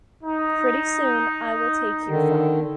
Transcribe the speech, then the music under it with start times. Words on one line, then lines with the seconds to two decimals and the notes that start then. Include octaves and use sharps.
Pretty soon, I will take your phone.
0.23 D#4
2.07 D3 D#3